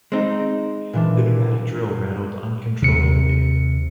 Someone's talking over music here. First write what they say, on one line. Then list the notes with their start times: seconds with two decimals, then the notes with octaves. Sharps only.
The pneumatic drill rattled uncontrollably.
0.12 G#3 C4 D#4
0.93 A#2 E3 D4
2.82 D#2 C3 C#7